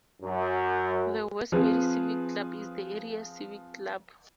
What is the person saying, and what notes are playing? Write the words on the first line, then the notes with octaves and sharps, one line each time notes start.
The Westbury Civic Club is the area civic club.
F#2
F3 C4 G#4 B4